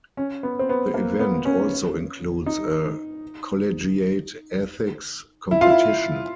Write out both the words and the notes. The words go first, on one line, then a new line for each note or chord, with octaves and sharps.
The event also includes a Collegiate Ethics Competition.
C#4
B3
C4
B3
A#3
B3
C#4
D#4
E4
F4
E4